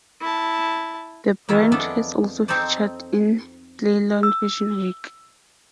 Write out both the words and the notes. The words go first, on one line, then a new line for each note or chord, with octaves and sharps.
The brand has also featured in Ceylon Fashion Week.
E4 A5
F2 D#3 E3 E4 F4 E5
G#3 B3 D4 A4
C4 D#4 A4 C5 D5
E6